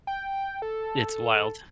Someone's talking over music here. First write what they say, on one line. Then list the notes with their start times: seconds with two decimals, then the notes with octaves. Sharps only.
It's wild.
0.07 G5
0.62 A4